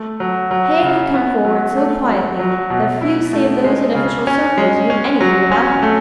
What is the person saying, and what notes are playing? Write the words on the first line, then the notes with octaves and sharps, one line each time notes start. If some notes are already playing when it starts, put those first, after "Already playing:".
Haig had come forward so quietly that few save those in official circles knew anything about him.
Already playing: A3
F#3
F#3
C#3
B3
F#3
A3
F#3
F#3
B2
E4
A3
G#3
C#3
C#4
G#3
C#4
F#3
C#4
A3